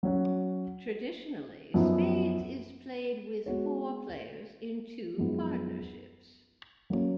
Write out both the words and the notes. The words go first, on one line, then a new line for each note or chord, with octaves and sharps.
Traditionally Spades is played with four players in two partnerships.
F#3 C#4 F#4
F#2 F3 B3 D#4
G#3 B3 F#4 C#5
F#2 F3 G#3 B3 D#4
F#3 A#3 C#4